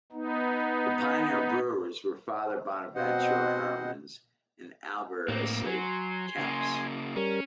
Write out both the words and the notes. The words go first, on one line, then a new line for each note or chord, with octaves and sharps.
The pioneer brewers were Father Bonaventura Hermans and Albericus Kemps.
B3 D#4
B2 C4 F#4 C5 D#5 F#5
A2 A#3 C4
F#3 G#5 C6
C#3 A#3
G3 C#4 A#4